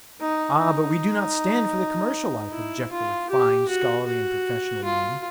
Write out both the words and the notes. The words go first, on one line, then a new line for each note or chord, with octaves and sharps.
"Ah, but we do not stand for the commercial life," object the refined, scholarly, and professional men.
D#4
D#4
E4
F4
G4
F#4
F#4
F4